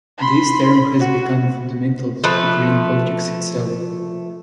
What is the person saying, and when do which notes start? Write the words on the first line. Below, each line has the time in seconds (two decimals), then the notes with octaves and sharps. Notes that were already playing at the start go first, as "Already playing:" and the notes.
This term has become fundamental to green politics itself.
0.18 B5 C6
0.99 F#4
2.24 F3 A3 B4